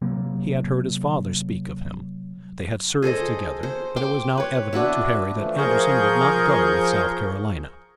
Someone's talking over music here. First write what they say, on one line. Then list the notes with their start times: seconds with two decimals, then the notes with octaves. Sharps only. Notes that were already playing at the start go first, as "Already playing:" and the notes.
He had heard his father speak of him; they had served together, but it was now evident to Harry that Anderson would not go with South Carolina.
0.02 C3 F#3 A#3 C4
3.02 G#4 A4 C5 D#5
3.63 C5
3.96 G5 C6 D6
4.37 B4 C#5
4.73 D4 F#4 B4 E5
5.37 E3 F3 A3
5.57 F3 G#4 A#4 C#6 G6